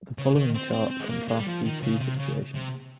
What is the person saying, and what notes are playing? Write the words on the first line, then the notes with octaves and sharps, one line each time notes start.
The following chart contrasts these two situations.
C#3
D#3
C4
C4
C4
G#3
A#3
G#3
G3
F3
D#3
C#3
C3
C#3
C3